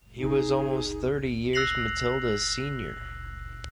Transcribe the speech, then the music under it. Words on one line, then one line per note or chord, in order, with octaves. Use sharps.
He was almost thirty years Matilda's senior.
D#4 G#4
E6 F#6 A#6 C7 F7 F#7